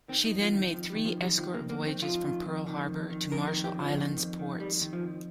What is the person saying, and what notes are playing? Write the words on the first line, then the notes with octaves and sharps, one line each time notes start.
She then made three escort voyages from Pearl Harbor to Marshall Islands ports.
D#3 C4
D#4
F2
F4
D#3
D#4
F2 F3
G3
D#3
F3
F2
G3
D#3 F3
A#3
F2
A#3
D#3
C4
F2 F4
D#3
F2
D#3
F2
D#3
F2 A#4
A#4
D#3
G4
F2
F3
D#3
F2
D#3
F2 G3
D#3
F3
F2